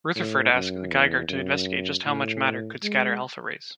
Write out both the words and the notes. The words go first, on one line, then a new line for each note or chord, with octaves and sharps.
Rutherford asked Geiger to investigate just how much matter could scatter alpha rays.
A2
F#2
E2
F#2
A2
G#3